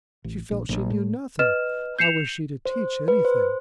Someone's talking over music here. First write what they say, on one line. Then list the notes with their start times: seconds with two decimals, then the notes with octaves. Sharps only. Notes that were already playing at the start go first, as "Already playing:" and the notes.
She felt she knew nothing: how was she to teach anything?
0.24 A1
0.51 A#1
0.69 A#1
0.90 A2
1.39 B4 D#5 F6 E7
1.99 G6 C7 C#7 E7 F7
2.65 C5
3.08 B4
3.25 C5